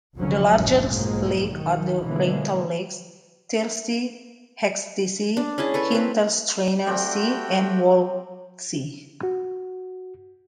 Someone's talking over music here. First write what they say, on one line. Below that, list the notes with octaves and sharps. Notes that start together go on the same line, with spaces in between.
The largest lakes are the Reintal lakes, Thiersee, Hechtsee, Hintersteiner See and Walchsee.
F1 D2 C#3 F3 F#3 C#4
F1 A#1 G#2 E3 C#4
B1 G#2 F3 F#3 G#3 A#3
D#3
B2 D3 E3 F3 G#3 A#3
D4
C#4 E4 G#4 A5
A4 B4 C#5
C4 B4
G3 A3 C4 F#4 G4 G5
F#4